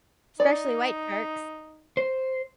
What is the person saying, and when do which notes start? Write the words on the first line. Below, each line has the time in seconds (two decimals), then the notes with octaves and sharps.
especially white sharks.
0.40 D#4 D5
1.97 C5